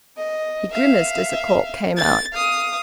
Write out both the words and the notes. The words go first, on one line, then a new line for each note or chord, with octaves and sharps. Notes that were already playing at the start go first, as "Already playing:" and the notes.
He grimaced as the cork came out.
D#5
E5 F5
A6
F5 D#6